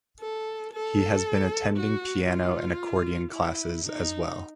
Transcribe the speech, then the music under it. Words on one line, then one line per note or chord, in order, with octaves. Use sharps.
He has been attending piano and accordion classes as well.
A4
A4
F#4
F4
E4
D#4